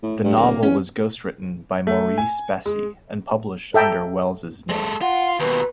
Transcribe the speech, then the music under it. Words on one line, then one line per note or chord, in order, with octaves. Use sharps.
The novel was ghostwritten by Maurice Bessy and published under Welles's name.
A2
G2
D1 A#3
E2 C#4
A3
G#5
G#3
A4 E5 G5 A5 A#5
G#3 A4
F4 F#5
D#2 B2 B4